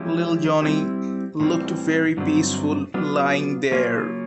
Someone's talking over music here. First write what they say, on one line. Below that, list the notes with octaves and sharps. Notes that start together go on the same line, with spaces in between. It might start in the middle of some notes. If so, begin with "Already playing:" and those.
Little Johnnie looked very peaceful lying there.
Already playing: F3 G#3 C#4 E4 G4
G3 C4 E4 G4
A2 E3 G3 C4
G2 D3 F#3 A3 C4
F#3 B3 D4 F4
C#3 F#3 A#3 C#4 F4